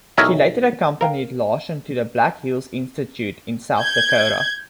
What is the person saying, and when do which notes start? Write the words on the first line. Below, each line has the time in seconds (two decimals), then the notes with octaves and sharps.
She later accompanied Larson to the Black Hills Institute in South Dakota.
0.18 B1 E2 A#4 C#5 D#5 E5
1.01 A#4 F5 G5
3.79 G6 G#6